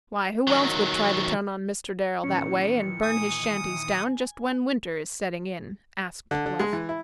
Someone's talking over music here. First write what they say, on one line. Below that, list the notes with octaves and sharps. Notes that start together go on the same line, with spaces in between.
"Why, who else would try to turn on Mr. Darrel that way, and burn his shanties down just when winter is setting in?" asked Bluff.
D#3 F#3
A#2 D#3 E3 C#4 C#7
G#5 D#6
D3
D3
G#3
E3
E4